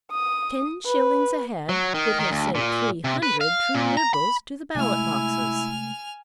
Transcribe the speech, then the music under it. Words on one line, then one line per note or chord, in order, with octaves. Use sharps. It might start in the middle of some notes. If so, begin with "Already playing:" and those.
Ten shillings a head would have sent three hundred true Liberals to the ballot-boxes!
D#6
B4
F#3
D#3
D#3
D2
A#2
C3
B4
F5
A#2
A#5
B5
C3 G#3 A3 E4 G#5 F6